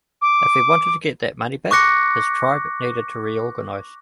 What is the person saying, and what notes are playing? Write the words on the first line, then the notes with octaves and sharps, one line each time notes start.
If he wanted to get that money back, his tribe needed to reorganize.
D6
C#6 D6 F#6 A#6 C#7